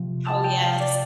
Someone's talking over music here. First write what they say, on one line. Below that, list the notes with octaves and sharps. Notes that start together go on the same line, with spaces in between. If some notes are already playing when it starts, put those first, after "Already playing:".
Oh, yes.
Already playing: C3 F3
A5
G5
F5
D5